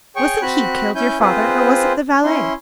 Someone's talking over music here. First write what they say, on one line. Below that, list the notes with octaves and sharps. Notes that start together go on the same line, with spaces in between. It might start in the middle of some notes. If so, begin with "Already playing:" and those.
Was it he killed your father or was it the valet?
G#4 C#5 G5 C#6
C4 F#4 B5 F#6
C#4 E4 G#5 G6
C4 F4 G#4 B4 C5
C#4 E4 C6